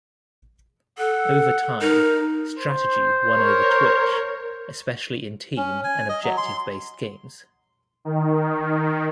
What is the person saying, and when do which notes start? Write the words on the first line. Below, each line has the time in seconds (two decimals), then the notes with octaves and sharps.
Over time, strategy won over twitch, especially in team- and objective-based games.
0.99 A4 F#5
1.82 D#4 A#4
2.59 C5
3.32 A#4 C#5
5.57 C#4
5.84 G#5
6.09 D#5
6.24 F#3
6.37 C6
8.05 D#3